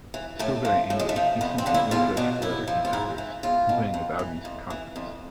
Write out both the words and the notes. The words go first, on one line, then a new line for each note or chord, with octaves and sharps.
Still very angry, he sent an ill-judged letter to Bathurst complaining of Oudney's incompetence.
E3
A2 A3
F3
A2 A3
G#3
A3
F3
F2 B3
C4
D3 F3
E4
E2 F4
B2 D4
A2 E4
F3
F4
G#2 E4
E3
E2 F4
B2
F2
E3
F2
E3
F2